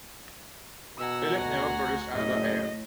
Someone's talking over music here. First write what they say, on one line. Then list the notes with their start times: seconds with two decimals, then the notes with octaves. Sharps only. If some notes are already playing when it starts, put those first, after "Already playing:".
Philip never produced another heir.
0.98 B2 F#5 G#5 A#5 E6
1.41 D2 F#4
2.13 F#1 A2 D#5